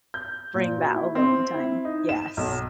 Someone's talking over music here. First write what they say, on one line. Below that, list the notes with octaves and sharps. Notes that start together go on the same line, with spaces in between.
bring that alone time. Yes.
G6
A#2
F#4
E4
C4
E4
D#4
E7
B1